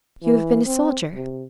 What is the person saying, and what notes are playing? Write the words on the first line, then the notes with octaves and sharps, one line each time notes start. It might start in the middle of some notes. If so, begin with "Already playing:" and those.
"You have been a soldier?"
E3
C4
C3